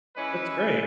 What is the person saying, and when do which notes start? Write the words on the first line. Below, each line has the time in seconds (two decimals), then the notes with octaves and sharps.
That's great.
0.16 E3 G#3 C#4 E4 B4